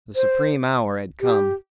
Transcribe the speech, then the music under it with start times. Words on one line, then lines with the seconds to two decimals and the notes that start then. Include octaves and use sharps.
The supreme hour had come.
0.16 C5
1.21 G4